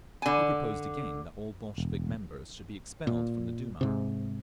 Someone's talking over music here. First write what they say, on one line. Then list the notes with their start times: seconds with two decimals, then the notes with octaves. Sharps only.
He proposed again that all Bolshevik members should be expelled from the Duma.
0.22 D3 G#5
1.78 E1
3.07 A#2
3.81 G#2 C3